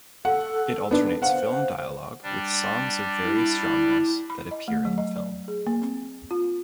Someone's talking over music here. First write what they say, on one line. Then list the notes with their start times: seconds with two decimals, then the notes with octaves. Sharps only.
It alternates film dialogue with songs of various genres that appear in the film.
0.25 A4 F#5
0.91 B3 D4
1.22 C5 F5 F#5
2.23 G3 D4
3.21 E4
4.30 B5
4.51 D#5
4.68 A3
4.85 F#3
4.98 D#5
5.16 D5
5.48 G#4
5.67 A#3
5.82 C4
6.31 F4